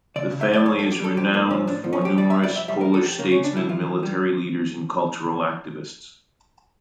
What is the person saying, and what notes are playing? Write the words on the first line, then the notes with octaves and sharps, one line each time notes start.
The family is renowned for numerous Polish statesmen, military leaders, and cultural activists.
C#3 D5
C#3
E5
F2 D5
F2 C#5
F2 A4
G4
G3 A4
F3 G4
A2 A#3
F3 C#4
A2 D4
F3
C#4
F3 G4
G3 D5
G3 E5
D5
F2 E5
G3 E5
F2 A#4
A4
F2 G4
C#3 A#3
C#3 C#4
D4
G3 E4
E3 F4
E3
G3